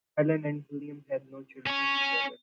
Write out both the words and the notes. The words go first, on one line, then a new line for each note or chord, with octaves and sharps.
Helen and William had no children together.
C#4 C#5